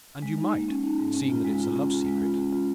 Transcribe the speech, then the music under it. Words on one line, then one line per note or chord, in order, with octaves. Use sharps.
And you might--seeing that it's a love secret!
G#3
D#4
A#3
C#4
D#4
G#2
C#4
F4
G#3
F4
C#4
F4
G#3
F4
C#4
F4